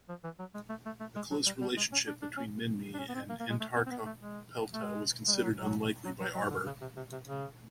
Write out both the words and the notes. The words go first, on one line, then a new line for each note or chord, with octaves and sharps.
A close relationship between "Minmi" and "Antarctopelta" was considered unlikely by Arbour.
F3
E3
F#3
G#3
A3
A3
A3
G#3
F#3
G3
G3
G#3
C#4
D4
D4
C#4
D4
C#4
B3
C4
A#3
A#3
G#3
A3
B3
C4
B3
A3
G#3
A3
G#3
G#3
G3
F#3
F#3
F#3
F#3
F#3
D3
C#3
C3
C3
C3
C#3